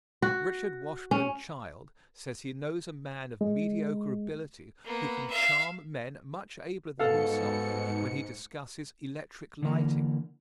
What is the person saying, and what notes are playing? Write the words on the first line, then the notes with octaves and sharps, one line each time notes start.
Richard Washburn Child says he knows a man of mediocre ability who can charm men much abler than himself when he discusses electric lighting.
F#4
C#4
G#3
A#3 B3
E5 F5
G#2 B2 A4 F5 C#7
D3 E3 A#3